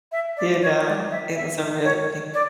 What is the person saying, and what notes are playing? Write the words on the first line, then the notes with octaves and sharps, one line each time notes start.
You know, it was a real big
E5
D5
C#5
D5
E5
E5
C#5
D5